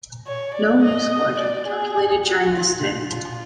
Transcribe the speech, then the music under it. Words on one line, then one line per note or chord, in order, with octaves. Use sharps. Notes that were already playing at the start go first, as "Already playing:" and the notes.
No new score can be calculated during the stay.
C#5
D5
D#5
D5
G#4
G4
F4
F4
F4